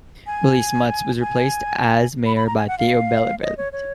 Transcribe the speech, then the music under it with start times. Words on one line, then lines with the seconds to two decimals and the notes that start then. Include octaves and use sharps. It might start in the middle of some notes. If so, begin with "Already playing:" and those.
Willie Smuts was replaced as Mayor by Theo Beyleveldt.
0.27 G#5
1.21 G#5
2.26 B5
2.36 B5
2.47 A#5
2.57 G#5
2.68 F#5
2.78 F5
3.42 D#5
3.57 C#5
3.73 C#5